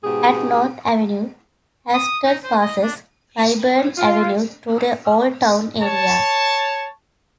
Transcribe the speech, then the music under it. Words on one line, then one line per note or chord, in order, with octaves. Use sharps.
At North Avenue, Halsted passes Clybourn Avenue, through the Old Town area.
G#2 B2 G4 G#4
D#6
D#4
C5
D#5
D4
F4
C#5 A5